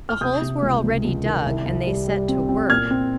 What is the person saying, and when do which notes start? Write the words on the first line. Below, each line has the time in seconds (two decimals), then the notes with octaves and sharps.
The holes were already dug, and they set to work.
0.09 F6
0.21 C3 D#6 G6
0.41 C3
0.62 C#2
0.84 C#2
1.04 C#2
1.25 D#3
1.46 C2
1.66 C2
1.87 G3
2.08 G3
2.29 C4
2.49 C4
2.70 A#2 F6 G#6
2.91 C4